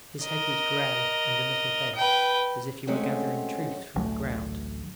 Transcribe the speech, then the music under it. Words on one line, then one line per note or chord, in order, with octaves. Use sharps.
His head was grey, and a little bent, as if he were gathering truth from the ground.
A#4 D#5
B4 G5
F#3 G#3 A3 C4 C#4 F#4
A1 D2 F#3 A3